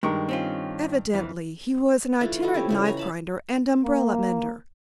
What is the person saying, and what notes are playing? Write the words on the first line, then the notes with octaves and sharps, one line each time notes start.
Evidently he was an itinerant knife-grinder and umbrella-mender.
G2 D#3 G#3 A#4 C#6
C4 C#4 F4
F2 E3
E3 A3 D4 F4
E4 F4 A4 D#5
G3 C4 G4 C#5
C#3 E3 G3
G#4 C#5 A#5
F5 A5 B5
A#3